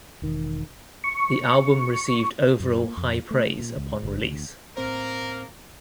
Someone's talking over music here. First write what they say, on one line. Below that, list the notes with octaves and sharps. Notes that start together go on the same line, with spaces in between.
The album received overall high praise upon release.
E1 D#3
C#6
F#2
A#3
F2
A3
A#2
C#2
F#1
D2
A2 A#3 C4 A#4 C5